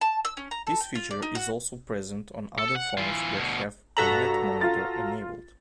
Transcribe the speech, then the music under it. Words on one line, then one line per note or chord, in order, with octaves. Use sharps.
This feature is also present on other phones that have "netmonitor" enabled.
A5
E6
C#4
A#5
A4
G5
F4
D5
D#4
F#4
A4
F#5
E3 F4
D2 B2
G2 F#4 A4 A#5 B6 F#7
F4 A6